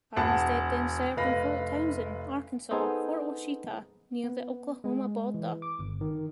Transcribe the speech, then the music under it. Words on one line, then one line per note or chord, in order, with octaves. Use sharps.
Armistead then served in Fort Towson, Arkansas, Fort Washita near the Oklahoma border.
E1 F#5 A5 B5
F1 B4 F5 B5 A#6
B3 D#4 G#4 A4 C5 D#5
B3
G#3
E3
D6
G1
D#3